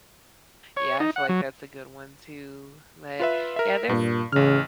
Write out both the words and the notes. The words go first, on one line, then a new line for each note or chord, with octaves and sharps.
yeah, I feel like that's a good one, too, but, yeah, there's
C#5
D#4
F#5
F#3
F4 B4 E5
A#4 E5
G2 A#2
A1 C#3 F6